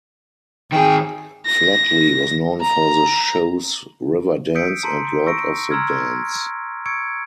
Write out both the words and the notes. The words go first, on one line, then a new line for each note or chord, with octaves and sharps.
Flatley was known for the shows "Riverdance" and "Lord of the Dance".
D#3 G#4 G5
A#6
A#5
D#6 E6 G6 B6 C#7 D7
A5 A#5 C6 B6 C#7
C#6 E6 A#6 C#7 D7
A#5 C6 E6 F6 G#6
C#6 E6 G#6 C#7 D7